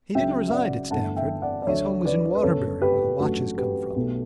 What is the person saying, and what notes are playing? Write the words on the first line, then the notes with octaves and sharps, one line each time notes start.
He didn't reside at Stamford; his home was in Waterbury where the watches come from.
C#2 C#3 F#3 E5 G5
E5
D5 F#5
G1 G2 E3 A3 F#5 A5
E5 G5
D5 F#5
D5
D2 D3 F#3 A3 C#5 E5
B4 D5
B4
G1 F#2 C#3 A4 C#5
G4 B4
A1 G2 F#3 F#4 A4
G4 B4
B1 B2 A3